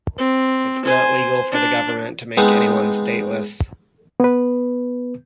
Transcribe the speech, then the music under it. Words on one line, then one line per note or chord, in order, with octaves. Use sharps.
It's not legal for the government to make anyone stateless.
C4
C5 G#5
D4
G#3 B3 C4 D#4
B3 B4